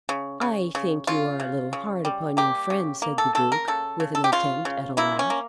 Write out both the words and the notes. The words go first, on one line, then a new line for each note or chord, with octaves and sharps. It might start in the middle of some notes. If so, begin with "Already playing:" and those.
"I think you are a little hard upon your friend," said the Duke, with an attempt at a laugh.
C#3
C#3
C#3
C#3 F4
C#3
C#3
G3
A#3 G4
C#3
A#3
A4
C#3 A4
A#4
C#3 A4
C#3
A4
G4
C#3 F4
C#3
A#3 E4
C#4
A#3